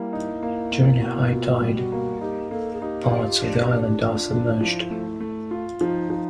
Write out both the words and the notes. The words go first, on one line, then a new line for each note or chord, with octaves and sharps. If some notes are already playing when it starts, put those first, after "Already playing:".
During a high tide, parts of the island are submerged.
Already playing: G3 A#3 E4
D#4
A#3
A#3
B2
B2 F4
G3
F#4
A#3
D#4 G4
A#3 A4
G#4
D#4 G4
F4
D4
D4
D4 F4
D4
E4
F3
A3
A3
F4
F3 D#4
F3